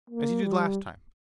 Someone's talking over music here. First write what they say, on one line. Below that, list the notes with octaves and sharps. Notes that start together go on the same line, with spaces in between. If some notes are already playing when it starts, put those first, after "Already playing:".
As you did last time!
A#3
G3